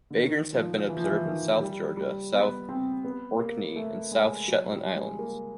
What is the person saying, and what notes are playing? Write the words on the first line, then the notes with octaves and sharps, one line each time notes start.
Vagrants have been observed in South Georgia, South Orkney and the South Shetland Islands.
D3
D#3
F3
E3
F3
E3
D#3
G3
G3
B3
C4
B3
A#3
A3
G#3
F#3
G3
G#3
A#3